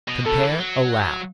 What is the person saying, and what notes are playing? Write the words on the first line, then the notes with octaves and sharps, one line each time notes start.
Compare ALLOW.
B2
B2 A4
E3
F#3